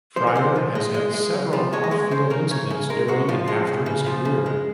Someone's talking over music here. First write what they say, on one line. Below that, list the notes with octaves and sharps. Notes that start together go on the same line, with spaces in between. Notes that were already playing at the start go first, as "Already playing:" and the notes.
Fryar has had several off-field incidents during and after his career.
F3 C5
A#4
C#3 C5
F3
G#3
G#3
G#3
C#3
F3
G#3 C#5
D#5
G#3 C#5
C#3 C5
C#3 A#4
C#3 C#5
C#3
G#3 A#4
G#3 F#4
F3 F4
G#3
C#3
C#3
F3
C#3
G#3